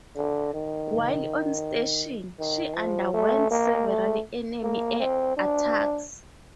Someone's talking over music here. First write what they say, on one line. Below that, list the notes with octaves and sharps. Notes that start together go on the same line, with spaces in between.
While on station, she underwent several enemy air attacks.
D3
D#3
D#3
F3
A3
A#3
A3
A#3
C4
D4